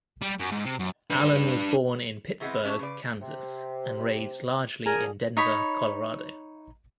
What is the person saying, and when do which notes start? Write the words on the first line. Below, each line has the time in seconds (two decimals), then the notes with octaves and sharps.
Allen was born in Pittsburg, Kansas, and raised largely in Denver, Colorado.
0.22 G3
0.39 F#2
0.52 G#2
0.65 C3
0.79 F#2
1.10 D4 B4
2.40 B2 E3 G#3 B3 C4
2.64 A3 C#4 G4 A5
2.79 C#3 B4 D5
3.21 C3
4.86 A#2 D3 G#4 A#4 G#5 A#5
5.37 D#4 C#5 B5